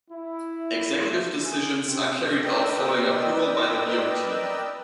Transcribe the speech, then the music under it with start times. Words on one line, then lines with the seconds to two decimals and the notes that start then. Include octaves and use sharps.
Executive decisions are carried out following approval by the BoT.
0.11 E4
1.42 G#4
1.86 C3
2.42 A#4 B4 D5 D#5 G5 E6